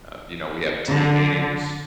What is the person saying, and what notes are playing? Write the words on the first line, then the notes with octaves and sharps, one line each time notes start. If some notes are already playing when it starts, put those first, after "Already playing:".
Uh, you know, we have team meetings,
D3